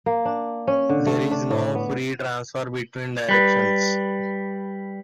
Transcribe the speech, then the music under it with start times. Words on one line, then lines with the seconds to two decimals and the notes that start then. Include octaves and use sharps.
There is no free transfer between directions.
0.06 A#3
0.25 D4
0.68 C#4
0.89 D3
1.06 A3
1.31 D4
1.50 A2
1.75 B3
3.29 G3 B4